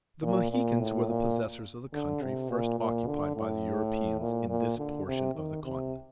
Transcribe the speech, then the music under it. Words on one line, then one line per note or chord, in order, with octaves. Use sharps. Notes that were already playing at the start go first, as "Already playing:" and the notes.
The Mohicans were the possessors of the country first occupied by the Europeans in this portion of the continent.
A#2
A#2
A2
A#2
D3
C3
A#2
A#2
D3
A2
A#2
A#2
D3
C3
D#3
C3